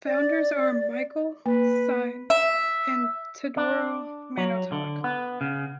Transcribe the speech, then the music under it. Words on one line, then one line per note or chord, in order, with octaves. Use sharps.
Founders are Michael Singh and Teodoro Manotoc.
D5
A#3 B4
E5
D4
F#3
D3
B3
C#3